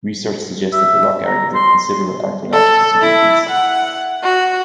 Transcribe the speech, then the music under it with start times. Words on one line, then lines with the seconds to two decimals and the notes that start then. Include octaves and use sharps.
Research suggests that the rock art is of considerable archaeological significance.
0.73 E5
1.25 A#5
1.54 C6
2.53 A4
3.02 E4
3.50 F#5
4.23 F#4